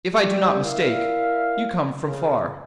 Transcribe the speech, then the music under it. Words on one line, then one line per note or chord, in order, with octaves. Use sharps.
'If I do not mistake, you come from far.
G3 G4
E4 A#4 D5 E5 F5
C#3